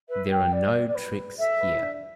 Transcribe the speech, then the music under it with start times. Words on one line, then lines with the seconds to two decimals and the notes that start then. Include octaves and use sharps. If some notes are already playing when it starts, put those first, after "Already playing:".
There are no tricks here.
0.08 B4 E5
0.30 G5
0.52 D5
0.88 D5
0.95 B4
1.38 A4 E5
1.56 A4
1.60 B4
1.74 E4
1.81 D4